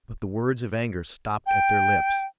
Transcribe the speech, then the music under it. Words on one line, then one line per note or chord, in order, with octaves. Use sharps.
But the words of anger stopped at their lips.
G5